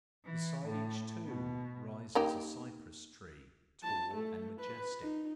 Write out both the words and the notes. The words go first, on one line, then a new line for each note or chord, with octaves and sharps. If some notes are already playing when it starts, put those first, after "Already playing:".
Beside each tomb rises a cypress tree, tall and majestic.
E3
A2
B2
A#3 D#4 G4
A5
A3
B4
D#4